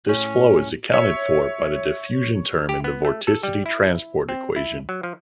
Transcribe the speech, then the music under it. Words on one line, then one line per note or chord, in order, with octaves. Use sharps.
This flow is accounted for by the diffusion term in the vorticity transport equation.
A2 C#4
C#5 E5
G4
B3
A3
A4
G3
E4
C4
E4
F#3
F3